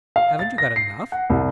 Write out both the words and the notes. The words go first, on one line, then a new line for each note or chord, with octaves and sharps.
"Haven't you got enough?"
F5
A6
A#6
C7
F#5
C2